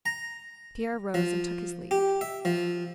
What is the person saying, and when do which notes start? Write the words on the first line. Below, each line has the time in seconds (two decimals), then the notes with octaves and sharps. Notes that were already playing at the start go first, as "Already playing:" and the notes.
Pierre rose and took his leave.
0.06 A#5
1.14 F3
1.91 G4
2.21 E5
2.45 F3